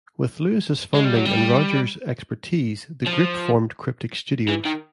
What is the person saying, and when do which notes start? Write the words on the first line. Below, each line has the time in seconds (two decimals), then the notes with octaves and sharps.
With Lewis' funding and Rogers' expertise, the group formed Cryptic Studios.
0.95 G#3
1.05 G3
1.15 F#3
1.25 G3
3.06 F3
4.48 E3
4.65 D#3